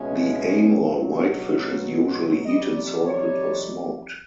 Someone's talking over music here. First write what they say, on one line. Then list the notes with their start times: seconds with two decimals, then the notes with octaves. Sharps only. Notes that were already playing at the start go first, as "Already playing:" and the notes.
The Amur whitefish is usually eaten salted or smoked.
Already playing: C#2 B2 G#3 C#4 E5
0.74 C#2 B2 F#3
2.45 F2 C3 D#3 G3 D#5
2.73 D5
3.01 C#5